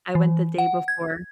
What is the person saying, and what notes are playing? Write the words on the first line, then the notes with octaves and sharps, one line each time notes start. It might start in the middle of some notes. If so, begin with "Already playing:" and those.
I went the day before.
E3
F#5
G#6